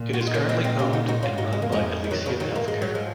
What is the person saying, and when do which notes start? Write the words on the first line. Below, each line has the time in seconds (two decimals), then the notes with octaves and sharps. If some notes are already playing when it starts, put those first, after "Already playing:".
It is currently owned and run by Elysium Healthcare.
Already playing: A#2
0.13 F#4
0.21 F4
0.27 D#4
0.34 A#2 A#3 C#4
0.49 C4 D#4
0.64 C4 D#4
0.79 C#4 F4
0.93 D#4 F#4
1.08 D#4 F#4
1.23 G#2 C#4 F4
1.38 D#4 F#4
1.53 G#3
1.62 A#3
1.67 F2
1.72 F3 G#3
2.04 G#3
2.11 D#3 F#3
2.26 C#3 F3
2.40 D#3 F#3
2.55 G#2 A#3
2.68 G#3
2.82 F#3
2.95 F3 G#3